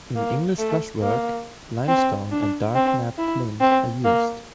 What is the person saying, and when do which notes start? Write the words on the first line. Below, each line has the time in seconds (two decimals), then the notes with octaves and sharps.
In English flushwork, limestone and dark knapped flint are used.
0.16 A#3
0.59 A3
1.01 A#3
1.88 C4
2.32 D4
2.75 C4
3.18 E4
3.61 C4
4.04 A#3